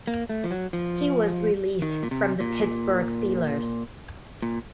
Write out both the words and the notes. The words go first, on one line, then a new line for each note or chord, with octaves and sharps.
He was released from the Pittsburgh Steelers.
A#3
A3
F3
F#3
F3
D#3
A#2
C3
A#2
A#2